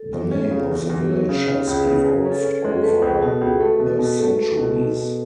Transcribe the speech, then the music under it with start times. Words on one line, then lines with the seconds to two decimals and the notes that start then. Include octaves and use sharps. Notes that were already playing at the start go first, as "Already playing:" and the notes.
The name of the village has evolved over the centuries.
Already playing: A4
0.13 E2
0.31 C#4
0.51 C#3 G#4
0.71 E2
0.89 E2
1.09 F#3
1.29 C#3 C#4
1.48 C#3
1.54 C#4
1.67 C#2
1.80 B4
1.86 C#3
2.05 C#3 G#4
2.25 C#4
2.32 A4
2.44 C#4
2.58 G#4
2.64 G#3
2.77 A4
2.83 A3 B4
3.02 C#2 G#4
3.22 B2 F#4
3.41 C#2 F#4
3.60 A3 A4
3.80 B2
3.86 A4
3.99 B2
4.12 B4
4.19 A3
4.38 A3
4.57 B2
4.76 B2
4.96 B2